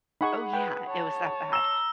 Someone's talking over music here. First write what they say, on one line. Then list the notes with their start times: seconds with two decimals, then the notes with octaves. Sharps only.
Oh, yeah. It was that bad.
0.21 D#4 G#4 F#5 G#5 B5 C#6
0.53 B4 G5
0.87 C#5 A5
1.53 A#5 E6 E7